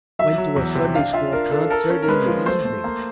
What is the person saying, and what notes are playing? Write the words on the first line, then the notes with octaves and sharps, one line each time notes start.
Went to a sunday school concert in the evening.
F#3 E5
F#3
E2
C3
D4 F5
F4 E5
D4 A#4
D4 A4
A4 A#4
C#4
A#4
G#3 B4
F3
A3 C5
A3
A#3